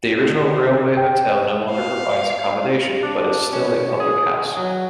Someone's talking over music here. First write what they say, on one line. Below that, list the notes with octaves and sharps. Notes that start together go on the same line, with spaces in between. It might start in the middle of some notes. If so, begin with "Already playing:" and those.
The original Railway Hotel no longer provides accommodation but is still a public house.
G5
F5
D4
C#4
G#4
F#3